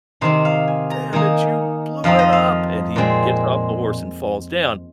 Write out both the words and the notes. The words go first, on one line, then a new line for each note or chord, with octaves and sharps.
you know, "Damn it, you blew it up!" And he gets off the horse and falls down,
C3 D#3 C4 D#4 C5
F5
G#5
A#5
D#3 A#3 D#4 G#5
F2 F3 C4 D#4 F5
D#5
F5
A#2 G#3 C4